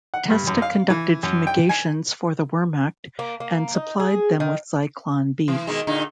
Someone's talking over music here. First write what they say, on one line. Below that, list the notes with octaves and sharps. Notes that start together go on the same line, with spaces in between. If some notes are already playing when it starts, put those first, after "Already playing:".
Testa conducted fumigations for the Wehrmacht and supplied them with Zyklon B.
F#5
G2
F#2
F5
E3
F#2
G5
G#5
A#3
A#3
D#4
G#4
D#3
E3
B2 D#3 G#3
A#2 D3 D#4